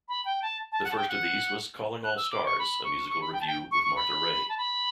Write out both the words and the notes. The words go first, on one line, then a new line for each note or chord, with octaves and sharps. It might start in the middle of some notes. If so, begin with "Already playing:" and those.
The first of these was "Calling All Stars", a musical revue with Martha Raye.
B5
G5
A5
A5
F#5
A5
G5
F#5
F#6
E6
D6
C#6
B5
C#6
C#6
B5
G5
A5
G5
C#6
C#6
B5
A5
B5